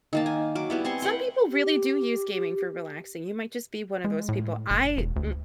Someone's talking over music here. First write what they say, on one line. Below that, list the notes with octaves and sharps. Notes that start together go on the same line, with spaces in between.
Some people really do use gaming for relaxing, you might just be one of those people. I mm
D#3 A#3 A5
G#5
F#3 D6
G3 B3 E4
C4 G#5 C6 C#6
B4 F#5 G5 C6
G4
G#3
A2
F#1
E1
D2